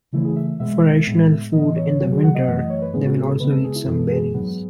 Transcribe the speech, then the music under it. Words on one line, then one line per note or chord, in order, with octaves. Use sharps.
For additional food in the winter they will also eat some berries.
C#3 E3 A3 E4
G#4
E5
B2 G#3 B3 E5
A2 G#3 B3
A2 E3 B3 D#5
C#5
C#3 F#3 A3 F#4
G#4
F#5
D#5
F#2 E3 A3 F#5
D#5
C#5
B4
A2 G#3 B3 G#4
F#4
G#4
A4
C#3 G#3 B3 B4
A4
G#4
E4
F#2 E3 G#3 A4
G#4
G#2 F#3 B3